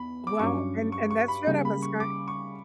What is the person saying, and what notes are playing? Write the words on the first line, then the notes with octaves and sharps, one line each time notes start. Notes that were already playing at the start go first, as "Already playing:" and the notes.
Well, and and that's what I was going
Already playing: E2 B5
D6
G2 F#3 C#4 C#6
C#6
C#6
B5
C#3 G3 A#3
B5
C#6
D6
C#6